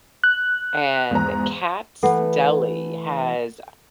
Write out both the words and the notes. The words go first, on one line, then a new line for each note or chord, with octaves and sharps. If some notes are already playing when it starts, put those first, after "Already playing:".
And Katz Deli has
F#6
E2 G#2 A#5
E3 A3 A4 B4 F#5